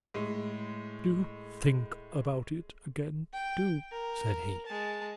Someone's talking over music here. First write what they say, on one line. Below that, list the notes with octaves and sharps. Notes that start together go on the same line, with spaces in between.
"Do think about it again--do!" said he.
A2 G#3
G5
A#4
G#3 A5